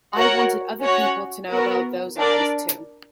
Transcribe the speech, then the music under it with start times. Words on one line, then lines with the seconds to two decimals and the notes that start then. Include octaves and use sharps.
I wanted other people to know about those eyes, too.
0.15 F#4 A#4 C#5 F#5
0.81 C#4 F#4 C#5 F#5
1.50 B3 F#4 A#4
2.16 D4 A#4 D5